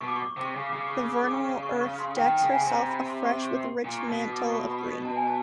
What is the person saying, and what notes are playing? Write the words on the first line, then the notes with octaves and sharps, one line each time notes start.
The vernal earth decks herself afresh with a rich mantle of green.
B2 C#6
D6
C#6
D6
C#6
C3 D6
C#6
D6
C#3 C#6
D6
C#3 C#6
D6
C#6
D6
C#6
D6
C#6
D6
C#6
C#6
C#6
C#6
C6
D#3 G5
G5
C#3
G#5
C#3
C3
A#5
B5
C6
C#6
C#6
C6
A#2
C#6
B2
D6
C#6
B5
A5
G#5
A5